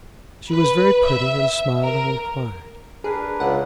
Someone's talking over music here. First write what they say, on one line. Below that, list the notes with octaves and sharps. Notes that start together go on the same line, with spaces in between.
She was very pretty and smiling and quiet.
B4
E5
A#4
D4 G#4 A#4 B4
C#2 F#5